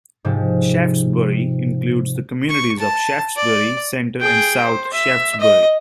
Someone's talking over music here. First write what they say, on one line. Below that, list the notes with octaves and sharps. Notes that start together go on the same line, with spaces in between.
Shaftsbury includes the communities of Shaftsbury Center and South Shaftsbury.
G#2 C3 F3
C#6
A5
D5
G#4 G5
C5
E5
D#5